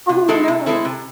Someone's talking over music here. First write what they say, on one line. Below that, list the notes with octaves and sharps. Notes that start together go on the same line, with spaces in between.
Oh, no.
C3
G#3 C4 E4 A4
C3
G#3 C4 E4 A4
C3